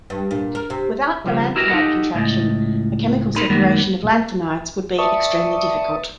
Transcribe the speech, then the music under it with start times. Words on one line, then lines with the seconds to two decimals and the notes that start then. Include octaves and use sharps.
Without the lanthanide contraction, a chemical separation of lanthanides would be extremely difficult.
0.10 G2
0.31 A#2
0.55 A#4
0.70 C3
1.24 C#3 F3 G3
1.56 E4 F#4 G4 A#4 B4 D#5
1.70 D#4 G4 A4 A#4 D#5 F#5
2.15 C#2 A2 D#5
3.36 A#2 D#4 A4 A#4 B5 C6
3.50 F#2 D#3 G3 G#3 A#3 B3
4.98 B4 D5 E5 A5 C#6 D#6